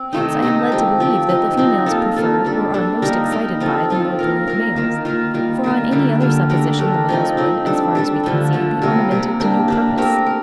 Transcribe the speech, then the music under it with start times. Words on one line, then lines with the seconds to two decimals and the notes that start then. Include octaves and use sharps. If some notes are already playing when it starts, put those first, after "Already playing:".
Hence I am led to believe that the females prefer or are most excited by the more brilliant males; for on any other supposition the males would, as far as we can see, be ornamented to no purpose.
Already playing: C4
0.13 C3 D#3 A3 D#4
0.42 C3 D#3 A3 D#4
0.72 F3 C4 G4
1.00 F3 C4 G4
1.29 F3 C4 D#4
1.57 F3 C4 D#4
1.86 A#3 F4 A4
2.16 A#3 F4 A4
2.45 G3 D4 A4
2.74 G3 D4 A4
3.02 G3 A#3 D#4 A#4
3.31 G3 A#3 D#4 A#4
3.60 F3 C4 F4 A4
3.90 F3 C4 F4 A4
4.19 A#3 F4 A#4
4.48 A#3 F4 A#4
4.76 D#3 A#3 F4
5.05 D#3 A#3 F4
5.34 D#3 G3 A#3 F4
5.64 D#3 G3 A#3 F4
5.91 D3 G3 A#3 F4
6.21 D3 G3 A#3 F4
6.49 A3 D4 G4 A#4
6.79 A3 D4 G4 A#4
7.09 F3 C4 D#4
7.37 F3 C4 D#4
7.66 G3 D4 A4
7.95 G3 D4 A4
8.24 D3 F3 A3
8.53 D3 F3 A3
8.82 C3 G3 A#3
9.11 C3 G3 A#3
9.40 A#3 D4 G4
9.68 A#3 D4 G4
9.97 A3 C4 G4 A#4
10.26 A#4